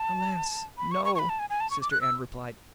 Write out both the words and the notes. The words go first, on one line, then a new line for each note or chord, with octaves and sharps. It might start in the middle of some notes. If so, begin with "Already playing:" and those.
"Alas, No!" Sister Anne replied.
Already playing: A5
B5
C#6
C#6
C#6
B5
A5
G#5
G#5
A5
C#6
D6
F#6
E6